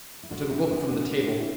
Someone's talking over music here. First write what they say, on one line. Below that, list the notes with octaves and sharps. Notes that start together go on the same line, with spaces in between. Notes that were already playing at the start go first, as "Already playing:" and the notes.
I took a book from the table.
E4
D3 D4 F#4
C4 E4
B3 D4
B3 D4
E3